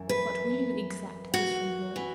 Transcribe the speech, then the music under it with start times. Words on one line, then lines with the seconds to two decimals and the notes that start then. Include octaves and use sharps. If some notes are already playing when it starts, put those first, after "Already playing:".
But will you exact this from her?
Already playing: F#2 E3
0.09 B4
1.34 F#4
1.96 E3